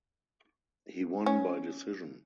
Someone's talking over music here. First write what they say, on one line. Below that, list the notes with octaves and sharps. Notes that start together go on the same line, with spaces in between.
He won by decision.
C#4